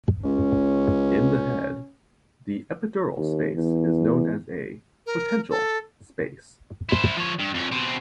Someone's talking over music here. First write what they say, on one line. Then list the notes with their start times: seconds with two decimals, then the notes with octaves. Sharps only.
In the head, the epidural space is known as a potential space.
0.25 C#2 C#4
3.17 D#2
3.54 E2
5.06 A#4
5.50 A4
6.89 E4 C5
7.18 F3 C#5
7.39 G2
7.54 F2 C#4
7.72 B2 C4